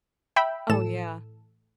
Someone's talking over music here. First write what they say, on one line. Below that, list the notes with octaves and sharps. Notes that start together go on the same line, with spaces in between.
Oh yeah.
E5 G5 B5
A2 E3 A4 E7